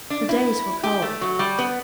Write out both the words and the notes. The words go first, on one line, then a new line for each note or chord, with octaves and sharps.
The days were cold.
D4
E4
G4
A3
F#3
G3
B3